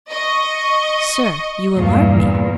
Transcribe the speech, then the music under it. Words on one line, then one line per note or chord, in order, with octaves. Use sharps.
"Sir, you alarm me."
D#5 C#6
E2 G2 A#2